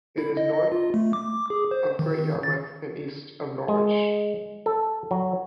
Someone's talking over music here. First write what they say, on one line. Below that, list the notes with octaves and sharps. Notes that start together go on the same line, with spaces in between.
It is north of Great Yarmouth and east of Norwich.
E4
D#5
D#5
F4
A3
D6
G#4
C5
D#3
A6
G#3
A4
F#3